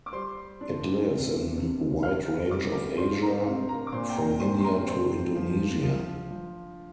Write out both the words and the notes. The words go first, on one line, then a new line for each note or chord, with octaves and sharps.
It lives in wide range of Asia - from India to Indonesia.
D6
G3 C5 C6
D4
C3
C3
D3 F5 F6
G3 D5 D6
D4 C5 C6
A#4 A#5
C3 F5
A#4 A#5
D6
A#2 C5 C6
G5
A#4 A#5
D4 C5 C6
C6
A#4 A#5
D4 C5 C6
F3
F3
F3